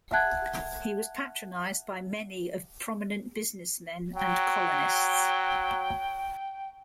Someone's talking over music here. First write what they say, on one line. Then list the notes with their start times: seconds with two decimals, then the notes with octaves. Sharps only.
He was patronised by many of prominent businessmen and colonists.
0.12 E5 F#5 A5 F#6 G#6
4.16 F#3 G5